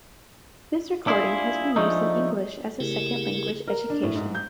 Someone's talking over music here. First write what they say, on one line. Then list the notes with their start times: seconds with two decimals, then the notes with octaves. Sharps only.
This recording has been used in English as a second language education.
1.07 D4 E4 F4 G#4
1.76 F3 G#3 A3 D4 D#4
2.80 C#3 A3 E4 G4 G#4 A#4
3.68 A#4
3.90 D4
4.03 A2
4.15 G#2
4.35 G6